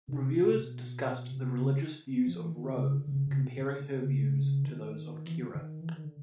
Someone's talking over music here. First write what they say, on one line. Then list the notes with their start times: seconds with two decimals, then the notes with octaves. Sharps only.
Reviewers discussed the religious views of Ro, comparing her views to those of Kira.
0.08 C3
0.38 B2
0.49 C3
0.59 B2
1.30 C3
1.60 C#3
2.27 F3
2.40 E3
2.52 D#3
2.66 D3
2.76 C3
2.81 C#3
2.97 D3
3.08 D3
3.12 C#3
3.27 C#3
3.42 B2
3.57 D3
4.03 C#3
4.64 D#3
5.26 E3
5.40 D3
5.55 D#3
5.81 E3
5.92 D#3
6.04 D3